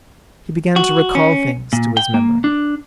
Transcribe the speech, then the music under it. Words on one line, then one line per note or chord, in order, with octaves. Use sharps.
He began to recall things to his memory.
F#4
C#4
A#2
G5
A#3
D4